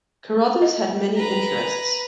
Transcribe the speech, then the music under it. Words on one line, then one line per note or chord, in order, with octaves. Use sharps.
Carruthers had many interests.
D#5
B4 A#5